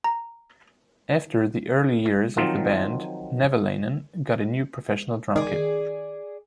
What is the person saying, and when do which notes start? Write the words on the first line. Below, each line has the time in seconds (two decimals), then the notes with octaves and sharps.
After the early years of the band, Nevalainen got a new professional drum kit.
0.04 A#5
2.37 D#3 F3 F#3 C4 D#4 F4
5.36 D#3 G#4 D5